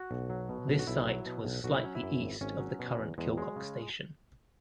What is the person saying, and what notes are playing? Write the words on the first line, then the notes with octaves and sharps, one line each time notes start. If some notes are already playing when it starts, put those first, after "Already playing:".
This site was slightly east of the current Kilcock station.
Already playing: F#4
B1
F#3
B2
B1
F#4
B1 E4
F#3
B2
B1
B1 F#4
E4
F#3 C#4
E4
F#2
G#1
G#1 C#4
F#3
B2
E2
E2 G#3
F#3 G#3
C#3